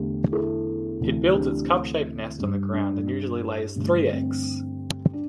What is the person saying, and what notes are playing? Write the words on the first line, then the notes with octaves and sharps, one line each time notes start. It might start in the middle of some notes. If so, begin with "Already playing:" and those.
It builds its cup-shaped nest on the ground and usually lays three eggs.
Already playing: E2 D3 A3 G4
E4 A4
D2 C3 E3 A3
D4 G4
G2 G3
D4
G2 D3 A3
C4
D4